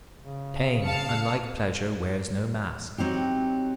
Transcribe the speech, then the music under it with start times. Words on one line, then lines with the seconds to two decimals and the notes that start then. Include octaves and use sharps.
Pain, unlike pleasure, wears no mask.
0.21 C#3
0.83 F5 A5 C#7
2.98 F#3 C4 D#4 G4